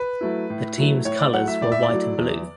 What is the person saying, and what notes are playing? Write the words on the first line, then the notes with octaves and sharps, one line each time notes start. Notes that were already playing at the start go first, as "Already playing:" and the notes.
The team's colors were white and blue.
Already playing: B4
F#3 A3 E4
A2
F#3 A3 E4
A2 C#5
D5
F#3 A3 E4 F#5
E5
A2 D5
E5
D5
F#3 A3 E4
E2